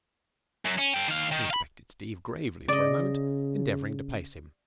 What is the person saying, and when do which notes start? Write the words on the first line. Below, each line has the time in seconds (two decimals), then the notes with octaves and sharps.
He inspected Steve gravely for a moment, endeavouring to place him.
0.66 F#2
0.78 C#4
0.94 A4 G5
1.08 D#3 F5
1.31 D#3
1.51 F5 B5
2.68 C#3 D5 D#5